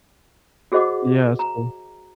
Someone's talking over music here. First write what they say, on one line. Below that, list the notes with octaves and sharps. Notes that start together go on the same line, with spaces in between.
Yeah, that's cool.
F#4 G#4 C5 D#5 F#5 D6
A#5